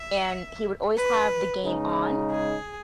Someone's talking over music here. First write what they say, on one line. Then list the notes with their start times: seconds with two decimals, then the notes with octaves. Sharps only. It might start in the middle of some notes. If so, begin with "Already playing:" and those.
and he would always have the game on,
Already playing: E5
0.97 B4
1.64 C#3 G#3 D#4
2.30 G#4